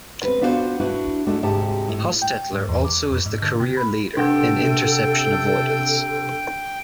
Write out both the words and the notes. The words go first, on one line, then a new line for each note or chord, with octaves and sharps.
Hostetler also is the career leader in interception avoidance.
C4 B4
B3 D4 F4 F#4 A4 C5
D4 E4 F#4 B4
G#3 A3 D4 F#4
D2 G#2 C3 G4 A5
A2
G5
G#2
E2
D6
F2
G#2
D3
C3
B5
C3 D4 A4 F#5 G5